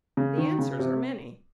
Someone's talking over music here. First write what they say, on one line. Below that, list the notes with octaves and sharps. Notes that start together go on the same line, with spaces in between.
The answers are many.
C#3
D#3
C#3
C3